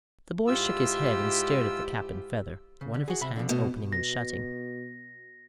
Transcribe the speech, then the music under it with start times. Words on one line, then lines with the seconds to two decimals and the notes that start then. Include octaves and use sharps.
The boy shook his head and stared at the cap and feather, one of his hands opening and shutting.
0.47 G#2 E4 F4 G4 E6
2.81 C#3
2.94 D3
3.08 F#4 G#4
3.21 C3 E5 B5
3.36 D3 F3
3.49 B2 A3
3.92 B2 A#6